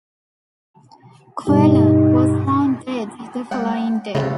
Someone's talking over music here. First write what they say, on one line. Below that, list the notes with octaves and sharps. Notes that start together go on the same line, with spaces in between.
Cuellar was found dead the following day.
G2 B2 D#4 G4
G#3 F#5 G5 A5
C#3 G#3 A3 F4 G4 B4